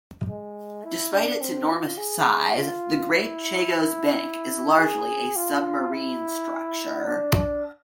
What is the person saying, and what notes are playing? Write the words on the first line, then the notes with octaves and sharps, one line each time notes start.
Despite its enormous size, the Great Chagos Bank is largely a submarine structure.
G#3
E4
D4
C4
F4
G#4
F4
E4
G#4
F4
E4
D4
D4